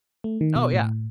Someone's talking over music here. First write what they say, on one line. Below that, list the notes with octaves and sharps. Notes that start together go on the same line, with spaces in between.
Oh, yeah.
A3
D#3
B2
A2